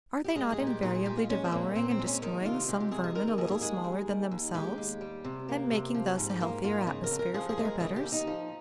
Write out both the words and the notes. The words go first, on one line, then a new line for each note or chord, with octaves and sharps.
Are they not invariably devouring and destroying some vermin a little smaller than themselves, and making thus a healthier atmosphere for their betters?
G4
G#3 G#4
G#4
A#2
G4
A#2 D#4
G#4
G#3 G4
F4
G#3 C#4
C4
A#2 A#3
A#2 C4
C4
G#3
C#4
D#3 D#4
C3 F4
G#3 G4
G4
C3 G#4
G#4
D#3 A#4
G#4
D#2 G#4
G#4
G#3 G#4
D#2
D#3
D#2
G#3 G4
D#2
G3
C3
A#3
C3
F3
G#2
G4
A#3 F4
G#2 F4
C#3 G#4
A#4
F2
A#4
F3 G#4
G#4
G#3
A#4
C#3 G#4
G4
D#2
D#4
F3